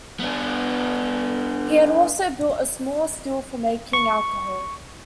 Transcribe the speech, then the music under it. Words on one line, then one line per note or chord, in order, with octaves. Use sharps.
He had also built a small still for making alcohol.
B3 D4
C#6